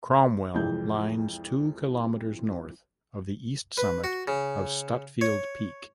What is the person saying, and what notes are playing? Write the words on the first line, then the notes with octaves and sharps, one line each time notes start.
Cromwell lines two kilometers north of the east summit of Stutfield Peak.
C2 F2 E3 G#3 G6
B4
F#4
C#3
C#5